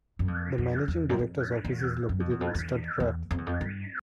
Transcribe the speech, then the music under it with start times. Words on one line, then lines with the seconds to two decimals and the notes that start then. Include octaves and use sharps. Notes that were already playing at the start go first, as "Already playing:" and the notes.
The managing director's office is located in Stuttgart.
0.19 F#2
0.28 F2
0.58 F2
0.88 E2
1.09 F#2
1.19 F2
1.64 E2
2.09 F#2
2.20 F2
2.31 E2
2.41 F2
2.55 E2
3.00 E2
3.31 F2
3.38 E2
3.46 F2
3.61 G2